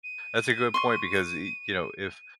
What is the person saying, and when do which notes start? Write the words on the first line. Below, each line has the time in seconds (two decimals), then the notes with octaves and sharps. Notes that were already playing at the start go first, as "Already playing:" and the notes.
that's a good point because, e you know, if
0.03 D#7
0.74 C6 C#6